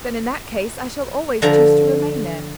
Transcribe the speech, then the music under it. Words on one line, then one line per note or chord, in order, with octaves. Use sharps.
"Then in that case I shall always choose to remain there."
D3 F3 A#5